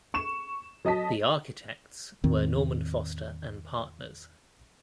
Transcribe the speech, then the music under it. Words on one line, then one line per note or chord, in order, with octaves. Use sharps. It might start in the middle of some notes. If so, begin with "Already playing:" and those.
The architects were Norman Foster and Partners.
C#6 E7
F#3 D#5 A5 B6
E2 A2 D#3 C4